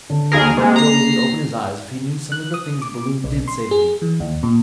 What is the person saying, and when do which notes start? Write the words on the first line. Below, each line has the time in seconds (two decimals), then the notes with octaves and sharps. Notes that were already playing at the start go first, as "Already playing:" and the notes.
Wouldn't Dilworthy open his eyes if he knew some of the things Balloon did say to me.
0.10 D3
0.32 D#2 G#4 A#4
0.57 C3 G#3 A#3
0.76 A#5 C7
2.32 F#6
2.54 D#6
2.82 D6
3.24 B1
3.48 C6
3.71 G#4
4.02 E3
4.20 D#2
4.43 A#2